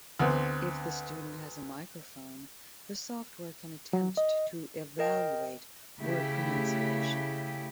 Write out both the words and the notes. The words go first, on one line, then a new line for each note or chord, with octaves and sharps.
If the student has a microphone, the software can attempt to evaluate word pronunciation.
D2 B3 C4
F#3
D#5
A#4 D#5 G5
C#3 A3 E4 G4